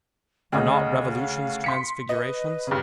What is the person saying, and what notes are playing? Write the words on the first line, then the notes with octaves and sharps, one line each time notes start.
Are not revolutions transfigurations?
D2 C#3 D#5
F5
C6 B6 C#7
B4 D#5
G2 C#3